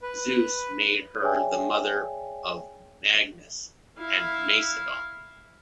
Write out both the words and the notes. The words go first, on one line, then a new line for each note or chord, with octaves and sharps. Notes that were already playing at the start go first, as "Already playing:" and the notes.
Zeus made her the mother of Magnes and Macedon.
B4
G#4 C#5 D5 E5 G5 G#5
E4 F5